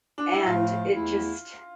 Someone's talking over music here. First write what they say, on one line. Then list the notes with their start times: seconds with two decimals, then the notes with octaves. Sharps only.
and it just
0.18 D4
0.33 E4
0.46 A2 F3 A3 F4
0.94 E2 E3 A3 E4